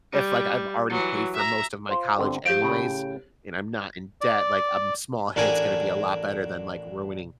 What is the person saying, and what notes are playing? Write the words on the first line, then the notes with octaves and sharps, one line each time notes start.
if like I've already paid for most of my college anyways, and I'm not in debt, like, a m small hit's gonna be a lot better than, like, ruining
G3
E3 F#3
E5 A#5
F4 C5
G1 D3 C4
F3 G4 G6 D7
A2 C#3
D5
A1 D4 F#4 A#4 G5 G#5